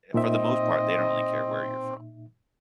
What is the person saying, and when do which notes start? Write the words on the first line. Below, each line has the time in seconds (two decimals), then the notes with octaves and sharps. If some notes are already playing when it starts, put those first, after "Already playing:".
for the most part, they don't really care where you're from.
0.14 A#2 C4 D#4 D#5 E5